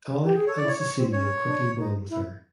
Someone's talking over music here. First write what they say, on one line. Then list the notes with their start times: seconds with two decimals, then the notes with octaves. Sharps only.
Alec and Cecilia quickly bond with her.
0.24 G4
0.35 G#4
0.47 A4 C#5
0.58 D5
0.63 E4
0.68 C#5
0.80 C#5
0.96 C4
1.12 C#4 C#5
1.45 D4
1.78 D#4
2.10 E4